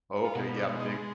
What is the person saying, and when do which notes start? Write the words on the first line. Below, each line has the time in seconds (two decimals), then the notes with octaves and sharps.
Oh, okay, yeah, the big
0.25 F4
0.35 B2 F#4
0.57 D4
0.68 G#3
0.80 D#4